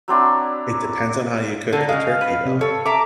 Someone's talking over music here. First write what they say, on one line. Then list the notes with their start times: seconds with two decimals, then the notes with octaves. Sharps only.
It depends on how you cook the turkey, though.
0.08 F#3 C4 D4 E4
1.73 D3 A#3 A4
1.89 C#3 G#3 F5
2.21 B4
2.45 C3
2.61 A4 C#5
2.86 E5 A#5 D6